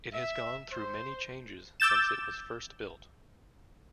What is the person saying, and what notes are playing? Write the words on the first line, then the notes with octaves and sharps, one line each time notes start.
It has gone through many changes since it was first built.
E5
C5
D6 E6 G6 A6 E7